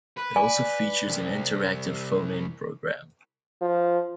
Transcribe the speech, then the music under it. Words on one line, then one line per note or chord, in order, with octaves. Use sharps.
It also features an interactive phone-in programme.
B4
D5 G#5
C2
F3